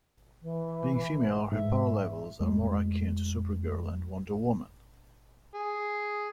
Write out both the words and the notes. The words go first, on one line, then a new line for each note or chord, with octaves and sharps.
Being female, her power levels are more akin to Supergirl and Wonder Woman.
E3
G#2 E5
F2 G#3 A3
G#4